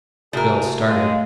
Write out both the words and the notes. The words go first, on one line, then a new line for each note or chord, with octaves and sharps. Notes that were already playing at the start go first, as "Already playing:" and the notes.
Phil started.
A2 C3 F#4 G#4 A#4
F#4
G#3 A3 F5